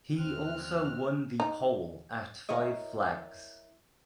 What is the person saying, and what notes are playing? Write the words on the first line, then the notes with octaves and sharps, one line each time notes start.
He also won the pole at Five Flags.
D#2 C#3 C4 F6 F#6
D#4
E4 A#4 C#5 D#5